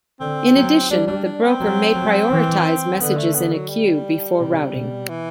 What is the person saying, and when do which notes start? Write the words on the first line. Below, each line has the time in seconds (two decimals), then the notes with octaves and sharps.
In addition, the broker may prioritize messages in a queue before routing.
0.20 D3 C4
0.56 F#3
0.91 G3 D4
1.07 D4
1.24 D4
1.43 C4
1.60 F#3
1.95 F#3
2.30 E3
2.99 D3 B3
3.17 A3
3.35 B3
3.52 F#3
3.69 G3
4.40 C3
4.74 B2
5.09 E3